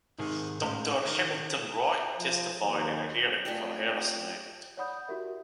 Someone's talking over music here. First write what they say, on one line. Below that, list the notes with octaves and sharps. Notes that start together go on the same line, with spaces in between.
Doctor Hamilton Wright, testified at a hearing for the Harrison Act.
G#2 C3 D#3 G#4 G#5
A2 G#3 C#4 C5 F5
D#3
F3
D#2
A3 C4 D4 F4 G4 G#4
C#5 D5 F#5 B5 D#6 G6
E4 F#4 G4 A#4 E5